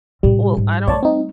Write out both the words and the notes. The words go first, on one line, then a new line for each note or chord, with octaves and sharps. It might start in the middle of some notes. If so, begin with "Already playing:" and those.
Well, I don't
A2 C3 G3
G#2
G3 A3 C#5 D5 A5
C4 D#4